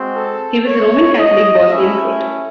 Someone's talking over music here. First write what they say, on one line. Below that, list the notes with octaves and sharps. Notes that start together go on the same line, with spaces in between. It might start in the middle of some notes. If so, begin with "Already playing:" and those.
He was a Roman Catholic Bosnian Croat.
Already playing: G#3 C4 F#4
A4
C#5
D#5
A3 C#4 E4 E5